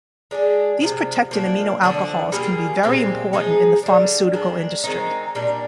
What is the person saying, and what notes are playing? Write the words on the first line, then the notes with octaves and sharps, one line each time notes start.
These protected amino alcohols can be very important in the pharmaceutical industry.
G#3 D4 G#4
C3 F3 G#3
F3 A#3 D4
D3 F3 G#3 D4
G3 A#3 F4 G#4
A#2 G#3 C4 G4
F3 G#3 D#4 G#4
D3 G3 D4
D#3 G#3 D4
D#3 G#3 C4 D#4
A#2 G3 D4